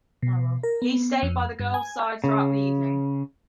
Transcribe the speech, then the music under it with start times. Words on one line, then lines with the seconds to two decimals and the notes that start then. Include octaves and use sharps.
He stayed by the girl's side throughout the evening.
0.23 B2
0.63 A#4
0.82 B3
1.23 F2
1.60 G2
1.74 G#5
2.24 C#3